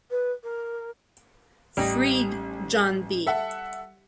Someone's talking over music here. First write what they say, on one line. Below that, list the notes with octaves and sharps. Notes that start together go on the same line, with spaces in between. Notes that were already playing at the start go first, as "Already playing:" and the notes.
Freed, John B.
B4
A#4
A1 G3 D#4
A4 E5 F#5